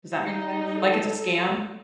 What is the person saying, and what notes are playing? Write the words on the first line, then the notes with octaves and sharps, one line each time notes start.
Does that make sense? Like, it's a scam.
G3
D#4
A4